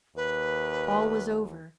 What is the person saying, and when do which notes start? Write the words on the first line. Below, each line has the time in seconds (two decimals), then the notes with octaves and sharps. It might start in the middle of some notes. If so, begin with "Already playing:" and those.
All was over.
0.16 D#2 B4